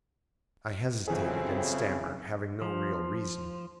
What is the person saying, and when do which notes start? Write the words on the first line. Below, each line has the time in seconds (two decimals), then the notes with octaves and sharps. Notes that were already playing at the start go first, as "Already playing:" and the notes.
I hesitated and stammered, having no real reason.
1.08 B1 F2 C#3 E3 F#3 C4 E4 G#4
2.62 F3